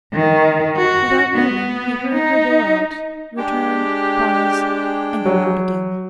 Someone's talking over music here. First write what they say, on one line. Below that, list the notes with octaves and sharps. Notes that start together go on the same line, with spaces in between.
Without moving he heard her go out, return, pause, and go out again.
D#3
F#4
B3
D#4
G#3 D4 G4 G5
F#3